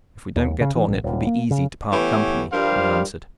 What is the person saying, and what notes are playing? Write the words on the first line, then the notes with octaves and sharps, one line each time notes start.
"If we don't get on it will be easy to part company," I answered.
D#2
C#3
E3
A1
D#1
A#3
C#3
E3 A3 B3 G4 C#5
G2 F3 G3 A#4 C5 F5